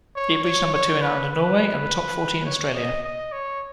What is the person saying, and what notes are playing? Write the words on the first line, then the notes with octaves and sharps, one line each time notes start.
It reached number two in Ireland and Norway, and the top forty in Australia.
C#5
C#5
C#5
B4
B4
C#5
D#5
D#5
C#5